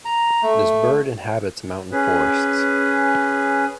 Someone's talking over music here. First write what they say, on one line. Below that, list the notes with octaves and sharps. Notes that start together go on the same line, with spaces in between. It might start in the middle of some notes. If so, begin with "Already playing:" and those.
This bird inhabits mountain forests.
A#5
A3
C#4 G#4 B4